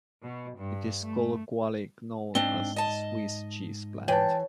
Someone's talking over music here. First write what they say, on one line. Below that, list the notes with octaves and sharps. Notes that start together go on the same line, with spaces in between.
It is colloquially known as the "Swiss cheese plant".
B2
G2
A3
G#2 C4 D4 G7
D#5 A5
E3 C#5 G5 A5